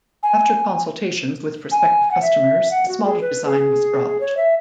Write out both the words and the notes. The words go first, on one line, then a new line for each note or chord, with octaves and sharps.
After consultations with prospective customers, the smaller design was dropped.
G#5
G#5
F#5
E5
F#5
F#4
G#4
B4
G#4
C#5
E5